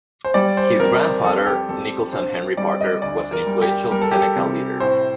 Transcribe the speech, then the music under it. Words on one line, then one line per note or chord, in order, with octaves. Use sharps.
His grandfather Nicholson Henry Parker was an influential Seneca leader.
C5
G3 D5
C5
F2 A#4
F2 A4
G4
F2 A4
D4 C5
G3 D5
D#5
D2 D5
A#4
G3
G4
G3 A#4
A4
G4
A4
C3
A2 C5